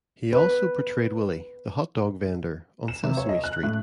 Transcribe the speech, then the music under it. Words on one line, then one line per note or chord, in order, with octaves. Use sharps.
He also portrayed Willy, the hot dog vendor, on "Sesame Street".
B4
E7
C3
C#5
D#5
F#6
A2